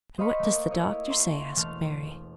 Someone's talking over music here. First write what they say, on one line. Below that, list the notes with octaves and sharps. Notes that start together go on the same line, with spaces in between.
"And what does the doctor say?" asked Mary.
C5 D#5 F5 B5 C#6
A3 A#3
E4 C#5 D#5
E5 A#5 C6 C#6
E1 A3 A5 F6